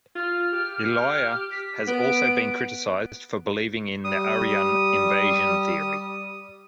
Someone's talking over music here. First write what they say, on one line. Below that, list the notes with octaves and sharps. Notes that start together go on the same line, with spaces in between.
Ilaiah has also been criticised for believing in the Aryan Invasion theory.
F4 F6
G4
B6
B3 D7
G3 D#6